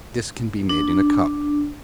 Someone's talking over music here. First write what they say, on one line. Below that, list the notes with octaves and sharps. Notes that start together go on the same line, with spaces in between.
This can be made in a cup.
D4